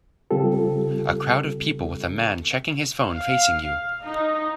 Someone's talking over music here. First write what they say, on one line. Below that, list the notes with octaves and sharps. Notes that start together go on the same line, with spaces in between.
A crowd of people, with a man checking his phone facing you.
C#3 G3 C4 F4 G4 A4
F5
D#4